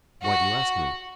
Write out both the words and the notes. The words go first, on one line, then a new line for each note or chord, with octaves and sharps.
Why do you ask me?
F#4